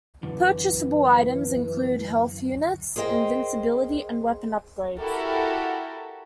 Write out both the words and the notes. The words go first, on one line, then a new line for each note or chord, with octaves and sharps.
Purchasable items include health units, invincibility, and weapon upgrades.
F#2 D3 E3
G#4 A#4 C5 D#5 G5
E4 F#4 G4 A4 A#4